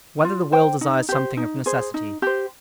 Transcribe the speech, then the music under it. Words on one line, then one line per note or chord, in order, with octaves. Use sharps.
Whether the Will Desires Something of Necessity?
F4
C5 G5
D#4
G4 C5
D#4
G#4 C5
D#4
G4 C5